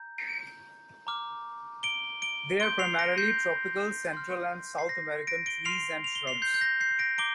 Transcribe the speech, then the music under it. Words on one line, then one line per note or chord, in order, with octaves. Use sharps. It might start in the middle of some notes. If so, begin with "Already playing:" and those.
They are primarily tropical Central and South American trees and shrubs.
Already playing: A#5 G6
A#5 D6 F6
D7 G7
D7 G7
C6 G6 D7 G7
C7 F7
A#6 D7
G6 C7
C6 F6
C7
A#6
A#6 D7
D7 G7
C6 F6 C7 F7
F7
G7
C7 F7
G6 C7
G6
A#6
G6 C7
A#6 D7
A#5 D6 D7 G7